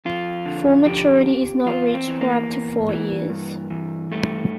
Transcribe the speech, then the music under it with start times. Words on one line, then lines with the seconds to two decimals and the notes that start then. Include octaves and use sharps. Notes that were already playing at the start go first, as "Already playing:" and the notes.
Full maturity is not reached for up to four years.
0.05 F2 F4
0.46 D3
0.86 F3 G4
1.27 F2
1.67 E2 F4
1.94 C4
2.07 E3
2.21 A#3
2.48 E2
2.89 E3
3.30 G2
3.70 E3
4.11 G2 A3